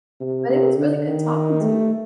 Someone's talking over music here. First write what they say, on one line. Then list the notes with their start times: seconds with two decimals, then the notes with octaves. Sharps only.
But it was really good talking to you.
0.21 C3
0.49 C3
0.78 D3
1.06 D#3
1.62 A3